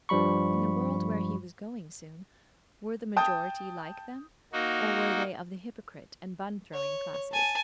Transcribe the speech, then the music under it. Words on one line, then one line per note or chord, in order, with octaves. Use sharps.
In the world where he was going soon, were the majority like them, or were they of the hypocrite and bun-throwing classes?
G2 F3 G3 B5 C#6
G5 A5 D#6 G6
A#3 D#4 F#4
C#5
G#5 A5